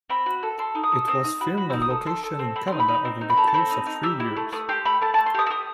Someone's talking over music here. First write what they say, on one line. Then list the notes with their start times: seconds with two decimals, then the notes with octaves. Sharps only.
It was filmed on location in Canada over the course of three years.
0.10 C4 B5
0.26 F#4
0.43 A4
0.58 A4 C6
0.75 D#4
0.83 D#6
0.92 A4
1.08 C4 D#6
1.24 D#4
1.41 F#4 B5
1.57 F#4 B5
1.70 D#4 E6
1.82 D#6
1.90 A4
2.01 D#6
2.06 A4 C6
2.23 A4
2.39 C4
2.56 C4 B5
2.68 D#4 C6
2.80 B5
2.88 D#4
3.05 C4
3.21 D#4
3.30 B5
3.37 A4
3.47 A5
3.54 C4 B5
3.70 D#4
3.86 D#4
4.03 G4 E6
4.20 E4
4.36 A3
4.52 A3 D#6
4.69 G4 C6
4.85 A3 B5
5.01 A3 A5
5.14 A5
5.18 A3
5.26 C6
5.34 G4 D#6
5.46 E6
5.50 G4 D#6